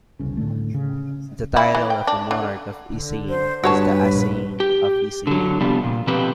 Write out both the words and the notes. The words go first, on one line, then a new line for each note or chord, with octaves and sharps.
The title of the monarch of Iseyin is "The Aseyin of Iseyin".
E1 C2 C#3
A2 D3 A3
C#3
E4
E3
G5
D4
D3
D3
C5
G2 F#4 B4 C#5 A5
A#1
G4
D3 F#3
C3 F3 G3 B3 D4
A#2
B2 F3 C4 G4 B4